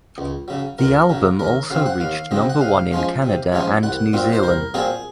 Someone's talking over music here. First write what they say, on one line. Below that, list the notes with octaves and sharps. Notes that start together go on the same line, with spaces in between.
The album also reached number one in Canada and New Zealand.
C#2
C#3 F#3
C#2 A#4
C#3 F#3
D#2 A#4
C#3 F#3 C4 F5
F#5
D#2 F5
C#3 F#3 C4 D#5
F#5
C3 F5
F3 G#3 C#4 F4
C3
F3 G#3 C#4 F4
C2 F#5
A#2 F#3 C4 F4
C5
C2 A#4
A#2 F#3 C4 F4 G#4